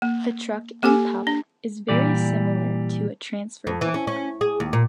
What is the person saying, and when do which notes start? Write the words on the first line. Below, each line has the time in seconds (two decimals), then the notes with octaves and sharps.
A "truck and pup" is very similar to a transfer dump.
0.02 A#3
0.83 A#3 G4 A4 G#5
1.27 D4
1.89 A#2 E3 G3 D5
3.67 F2
3.81 E3
3.94 C#4
4.07 C#4
4.41 G#4
4.60 D#2
4.73 A#2